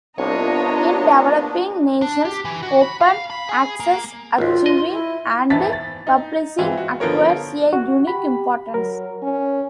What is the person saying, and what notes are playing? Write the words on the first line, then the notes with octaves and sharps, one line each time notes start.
In developing nations, open access archiving and publishing acquires a unique importance.
C2 A#3 B3 D4 F4 C#5 D#5 A#5
D4
G4
E3
F#4
B5
F5
B5
G#4
A#3
G#1 C#2 F4
D#5
E4
G#1 E3 B3 A5 A6 B6
A6
D#4
E3 G#3 C4 F4
F#4
D3 F3 B3 A#4 C#5
F#4
G4 B5
F#3 A#4
C#4